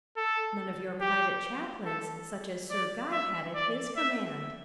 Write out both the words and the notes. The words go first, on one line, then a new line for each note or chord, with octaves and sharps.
None of your private chaplains, such as Sir Guy had at his command.
A4
G4
A4
D5
E5
D5
E5